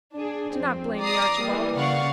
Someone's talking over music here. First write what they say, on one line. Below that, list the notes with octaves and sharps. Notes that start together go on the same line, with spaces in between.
Do not blame me, Archibald.
D4 G#4
F2 C4
D5 A#5 D6 D#6 C7
E3 G3 A#3
C#3 D5 F5 F#5 C#6